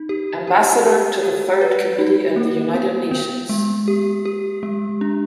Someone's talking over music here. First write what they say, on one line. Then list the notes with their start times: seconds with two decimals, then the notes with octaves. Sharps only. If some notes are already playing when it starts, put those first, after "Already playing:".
Ambassador to the Third Committee at the United Nations.
Already playing: D#4
0.09 G4
0.47 G4
0.85 G4
1.23 G4
1.61 B4
1.98 D#4
2.36 A#3
2.74 B3
3.11 B3
3.49 G#3
3.88 G4
4.25 G4
4.63 G#3
5.01 D4